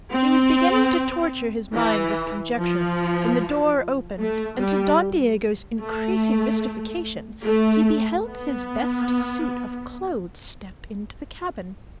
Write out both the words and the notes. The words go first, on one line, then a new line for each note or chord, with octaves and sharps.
He was beginning to torture his mind with conjecture, when the door opened, and to Don Diego's increasing mystification he beheld his best suit of clothes step into the cabin.
C4
E3
F3
A3
G3
A3
A3
B3